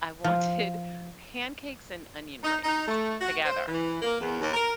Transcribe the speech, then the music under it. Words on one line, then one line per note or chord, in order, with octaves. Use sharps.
I wanted pancakes and onion rings together.
F3
D#4
D#4
A3
F#4
C5
E3
A#3
E2
D#2
A#4